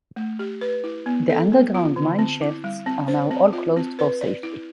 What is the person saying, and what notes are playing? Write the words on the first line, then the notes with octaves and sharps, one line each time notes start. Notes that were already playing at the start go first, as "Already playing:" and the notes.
The underground mine shafts are now all closed for safety.
A3
G4
B4
E4
B3
A4
B3
F4
D3
C4
E4
G3
C4
C5
C4
F4
C4
B4
D5
E4